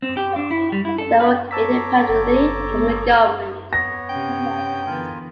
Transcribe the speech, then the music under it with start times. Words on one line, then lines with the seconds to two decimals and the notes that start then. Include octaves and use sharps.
They work independently from the government.
0.02 C4
0.17 G4
0.36 D4
0.51 E4
0.72 G3
0.85 E4
0.98 A4
1.20 B4
1.51 C#5 A5 A#5 D6 E6 B6
2.09 G1 A4
3.73 B3 C#5 A#6
4.09 C3 C#4 G5
4.86 D3 E3 B3 F4 A#4 G#5